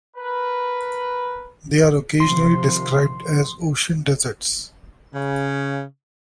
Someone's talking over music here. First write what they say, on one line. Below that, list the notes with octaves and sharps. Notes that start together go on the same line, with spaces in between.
They are occasionally described as "ocean deserts".
A#4 B4
C3 D#3 F3 C6
C#3